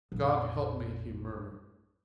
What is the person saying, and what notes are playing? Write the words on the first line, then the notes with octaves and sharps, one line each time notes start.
"God help me!" he murmured.
A#1 F2